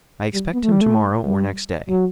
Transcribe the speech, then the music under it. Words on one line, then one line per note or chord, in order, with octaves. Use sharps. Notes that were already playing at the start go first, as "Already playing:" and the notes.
I expect him to-morrow or next day.
G3
B3
A3
G3
A3
G3
F#3